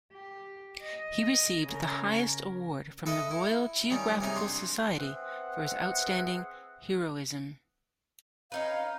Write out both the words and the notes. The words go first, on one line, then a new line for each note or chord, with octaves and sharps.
He received the highest award from the Royal Geographical Society for his outstanding heroism.
G4
D#5
C#3 A#4
A4 B4 D#5 E5
E4
D#3 G3 C#4
C3 C#4 D#4 G#4
D4 C6
B3 C4 G#4 E5 F#5
C#4 D#4 B4 F5